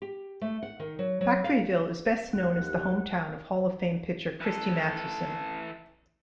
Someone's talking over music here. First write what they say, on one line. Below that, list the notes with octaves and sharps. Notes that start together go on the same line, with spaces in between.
Factoryville is best known as the hometown of Hall of Fame pitcher Christy Mathewson.
G4
A3
F#5
D#3
F#3
F#3
F5
D#2 F#5
E3 A4